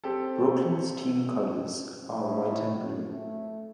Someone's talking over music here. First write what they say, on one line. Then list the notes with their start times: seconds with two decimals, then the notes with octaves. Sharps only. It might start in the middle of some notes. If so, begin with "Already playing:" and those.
Brooklyn's team colors are white and blue.
0.04 C4 G4 A4
2.08 A2
3.10 A3